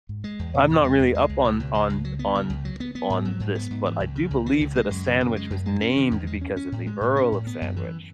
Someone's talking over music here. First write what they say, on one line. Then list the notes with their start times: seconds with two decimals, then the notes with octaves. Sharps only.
I'm not really up on on on on this, but I do believe that a sandwich was named because of the Earl of Sandwich.
0.09 G#2
0.24 G#3
0.39 E2
0.54 B2
0.70 E2
0.84 G#3
0.99 E2
1.15 G#3
1.29 C#2
1.45 B2
1.60 C#2
1.74 G#3
1.90 C#2
2.05 F#3
2.19 B3
2.35 C#3
2.50 C#2
2.65 F#3
2.80 B3
2.95 B3
3.10 G#2
3.25 F#3
3.40 G#2
3.55 B3
3.71 G#2
3.86 E3
4.00 C#2
4.16 C#3
4.31 C#2
4.46 E3
4.61 C#2
4.75 G#3
4.91 F#2
5.06 C#3
5.21 F#2
5.36 G#3
5.50 F#2
5.66 G#3
5.81 C#4
5.96 D#3
6.11 E2
6.27 G#3
6.41 C#4
6.56 C#4
6.72 A2
6.86 G#3
7.01 A2
7.16 C#4
7.32 A2
7.47 B3
7.61 F#2
7.76 E3